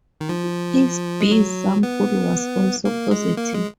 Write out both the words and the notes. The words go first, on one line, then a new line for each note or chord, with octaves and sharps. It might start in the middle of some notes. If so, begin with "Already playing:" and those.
His "B" sample was also positive.
D#3
F3
G#3
F#3
B3
A#3
G#3
A#3
G#3